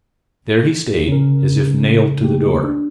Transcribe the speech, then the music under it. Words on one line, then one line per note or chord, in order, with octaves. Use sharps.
There he stayed as if nailed to the door.
C#3 C#4 A#4
A3 A#3 G4
D4